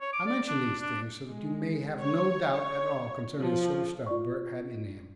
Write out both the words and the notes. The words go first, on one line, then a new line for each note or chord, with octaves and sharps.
I mention these things so that you may have no doubt at all concerning the sort of stuff Bert had in him.
C#5
D6
D5
D4
D4
G#3
C#5
C#5
F3
F4 D5 C#6